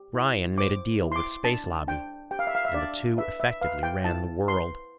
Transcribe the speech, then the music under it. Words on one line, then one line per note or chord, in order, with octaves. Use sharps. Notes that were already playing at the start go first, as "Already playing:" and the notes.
Ryan made a deal with Space Lobby, and the two effectively ran the world.
Already playing: G4
E4
C5 D6
E4
C6
D6
D4 A5
D4 G5
G4 G5
F5
E5
F5
E5
D4 D5
B4 E5
E5
B4 F5
G5
E4 A5
B4 C6